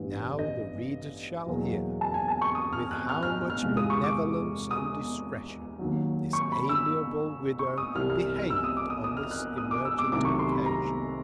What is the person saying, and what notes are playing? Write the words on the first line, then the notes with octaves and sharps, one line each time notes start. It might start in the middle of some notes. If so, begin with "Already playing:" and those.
Now the Reader shall hear with how much Benevolence and Discretion this amiable Widow behav'd on this emergent Occasion.
Already playing: A1 G2 E3 G3 B3
D#5
E2 B2 F#3 A#3
A5
G#5
A5
C#6
D#6
F6
F#6
F6
F6
F6
E2 C3 F3 G#3
D#6
C#6
D6
D#6
D#2 D#3 F#3
C#6
B5
E6
C#6
D#6
C2 C3 E3 G3 F6
F6
F6
E6
D#6
D6
D#6
D#6
F6
F#6
D#6
D6
E6
D6
C2 C3 D#3 F#3 A3 D6
C#6
C6
B5
A#5